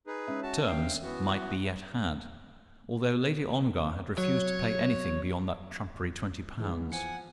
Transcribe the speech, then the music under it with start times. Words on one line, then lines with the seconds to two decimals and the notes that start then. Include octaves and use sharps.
Terms might be yet had, although Lady Ongar had refused to pay anything beyond that trumpery twenty pounds.
0.07 D#4 G#4 B4
0.28 G#3 C#4 E5
0.43 F#4 A5
0.68 G2 E5 F5 G5
1.02 E3 B3 F#4
4.18 F#3 C#5
6.60 E3 G#3 B3
6.93 F3 F#5 G#5